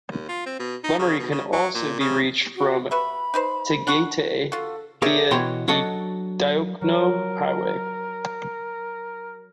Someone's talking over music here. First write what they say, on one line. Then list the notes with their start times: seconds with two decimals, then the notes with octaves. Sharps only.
Lemery can also be reached from Tagaytay via the Diokno Highway.
0.11 D#2
0.28 F4
0.46 C4
0.59 B2
0.84 D#4
0.99 C#3
1.19 B2
1.31 C#3
1.52 F#3
1.75 A#2
2.00 C#3
2.56 F#4
2.91 F#4 B4 E5 B5
3.34 D#4 B4 C5
3.87 D4 F#5 C#6
4.52 F4 F#4 A4
5.02 G4 G#4 A#4 C#5 D5 E5
5.31 B2 E3 F#4 C#5 G5 C6
5.68 F#3 D4 F#4 A4 D#5
6.81 F#3 A#4